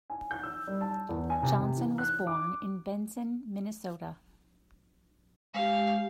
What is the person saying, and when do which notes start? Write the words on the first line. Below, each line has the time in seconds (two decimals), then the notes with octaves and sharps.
Johnson was born in Benson, Minnesota.
0.10 G#5
0.31 G6
0.43 E6
0.67 G3
0.81 A5
1.09 E2
1.30 G#5
1.43 C3
1.60 C3
1.77 E3
1.98 F#6
2.27 D6
5.54 G#3 G4 F5